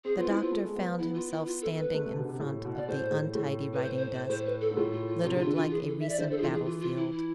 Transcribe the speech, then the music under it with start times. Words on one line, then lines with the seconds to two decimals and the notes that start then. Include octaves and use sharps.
The doctor found himself standing in front of the untidy writing desk, littered like a recent battlefield.
0.04 C4 G#4
0.17 B3 F4
0.28 C4 E4
0.40 B3 F4
0.51 A3
0.64 G#3
0.76 B3
0.87 B3
0.99 B3 E4
1.15 F4
1.30 E4
1.46 F4
1.62 A4
1.78 B4
1.94 A3
2.06 C3
2.17 B2
2.24 D3
2.29 C3
2.40 A2
2.65 B2
2.77 D5
2.88 A2 C5
3.11 A2
3.35 A2
3.74 B4
3.82 C5
3.98 C5
4.14 C5
4.29 A2 C5
4.46 B4
4.61 A4
4.71 G#2
4.77 A2 F4
4.93 F4
5.08 F4
5.23 C3 F4
5.35 D3
5.40 F4
5.47 D3
5.56 F4
5.60 E3
5.71 G#4
5.87 A4
6.00 E5
6.09 D5
6.18 D3 C5
6.30 A4
6.37 G#4
6.42 E3 F4
6.53 G#4
6.65 E3 F4
6.81 F4
6.97 E4
7.13 E4